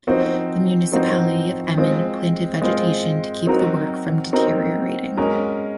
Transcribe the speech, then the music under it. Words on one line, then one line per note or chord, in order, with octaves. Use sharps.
The municipality of Emmen planted vegetation to keep the work from deteriorating.
F3 C4 D#4 F#4 C5
F3 C4 D#4 F#4 C5
G#3 C4 F4 C5
G#3 C4 F4 C5
F#3 C4 D#4 F#4 A#4
F#3 C4 D#4 F#4 A#4
G#3 C#4 F#4 A#4